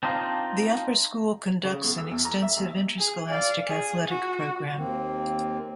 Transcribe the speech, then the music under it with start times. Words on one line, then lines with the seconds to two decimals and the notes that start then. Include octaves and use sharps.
The Upper School conducts an extensive interscholastic athletic program.
0.03 C4 D4 D#4 F4
1.64 C#3
1.84 B1
1.98 E6
2.11 E2
2.25 A#5
2.42 E5
2.57 D#2
2.99 G#4
3.29 D5 F5
3.68 G#4
4.07 F#4
4.77 D#2 A#3 C4